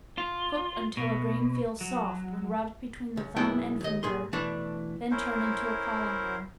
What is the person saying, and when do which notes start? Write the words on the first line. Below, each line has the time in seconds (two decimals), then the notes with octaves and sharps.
Cook until a grain feels soft when rubbed between the thumb and finger, then turn into a colander.
0.18 F4
0.97 B2
1.81 F#3
3.17 C#2
3.37 B1 F#2 G#3 B3 E4 G5
3.81 D#2 D#5
4.03 G2 A#2 G#4 C6
4.33 B2 E3 A3 D4
5.11 C#4 E4 A#4 C5